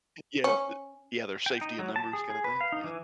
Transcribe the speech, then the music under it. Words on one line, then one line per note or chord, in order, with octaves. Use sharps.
yeah, the yeah, there's safety in numbers kinda thing, yeah.
C#4
G5
D#4
F#3
A5
G#4
G#4
B4
F5
D#4
E3